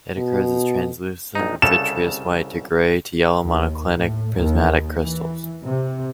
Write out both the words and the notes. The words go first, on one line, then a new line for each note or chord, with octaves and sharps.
It occurs as translucent, vitreous white to grey to yellow monoclinic prismatic crystals.
B2
A#1 D#4
C2 C#3 A4 E7
D#2
A2
D#2
E3
C3